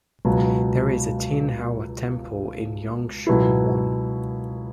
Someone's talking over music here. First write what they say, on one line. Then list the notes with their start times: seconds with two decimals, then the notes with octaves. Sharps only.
There is a Tin Hau Temple in Yung Shue Wan.
0.25 C#2 B2 F#3
3.27 C#2 B2 F#3 B3 E4